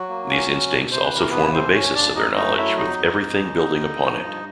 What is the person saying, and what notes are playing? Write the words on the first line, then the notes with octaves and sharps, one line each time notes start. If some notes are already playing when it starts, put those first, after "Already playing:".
These instincts also form the basis of their knowledge with everything building upon it.
Already playing: F#3 F#4
A#3
C#4
C#4
B2
C3 C5
B4
E3
A#4
C3 B3 B4
D#2 C4 C5
D#2 C#4 C#5
D#2 D4 D5
F#2 D#4 D#5
A3 D#4 D#5
F#3 E4 E5
F2 D#4 D#5
F2
F2
D#2
D3
D3
F3
G2